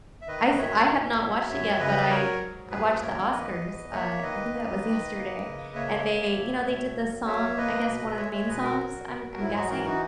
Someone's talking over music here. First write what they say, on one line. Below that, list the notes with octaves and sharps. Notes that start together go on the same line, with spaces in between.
I s I have not watched it yet, but I I watched the Oscars, uh, I think that was yesterday, and they you know, they did the song, I guess one of the main songs, I'm I'm guessing.
E5
D#3 B4 D#5
F#2 C#5 E5
A#2
F#3
F#2 C#5 E5
C#3 B4 D#5
F#3 A#4 C#5
G#2
F#2 G#4 B4
A#3 A#4 C#5
E2 B4 D#5
E2
A#3 C#5 E5
D#3 B4 D#5
A#3
D#3
A#3
C#3
A#3 C#5 E5
A#3
B2
B2
F#3
A#3 C#5 E5
A#3 B4 D#5
B2
G#3 C#5 E5
C#5 E5
B2 B4 D#5
F#4 A#4
F#3
F#3
F#4
G#2 E4
D#4 F#4
E3 F#4 A#4
D#4 F#4